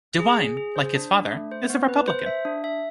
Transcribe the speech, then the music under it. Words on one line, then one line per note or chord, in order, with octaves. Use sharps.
DeWine, like his father, is a Republican.
G#4
G#4
G#4
C5
D4
D4
A3
C5
B3
B4
C5
E5
D4
E5